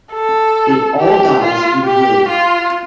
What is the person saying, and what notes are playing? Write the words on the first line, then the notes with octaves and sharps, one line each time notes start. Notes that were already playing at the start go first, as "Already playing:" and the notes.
It all dies in the room.
A4
G4
F4
G4
F4